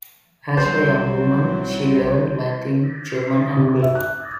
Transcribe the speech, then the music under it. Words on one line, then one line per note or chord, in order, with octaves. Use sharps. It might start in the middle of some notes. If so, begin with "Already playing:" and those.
As a young woman she learned Latin, German and Greek.
B1 F#3 G3 C4 E4 C5
C3
E5
F#6